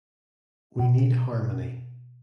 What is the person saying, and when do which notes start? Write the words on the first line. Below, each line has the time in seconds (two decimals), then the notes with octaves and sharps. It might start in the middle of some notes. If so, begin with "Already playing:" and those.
We need harmony.
0.79 B2